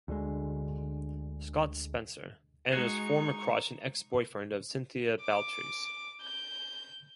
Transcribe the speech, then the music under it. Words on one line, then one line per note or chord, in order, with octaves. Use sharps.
Scott Spencer - Anna's former crush and ex-boyfriend of Cynthia Baltres.
D2 D3 G#3
G#3 D#4 F#4 G#4 C#6
D6 D7
G6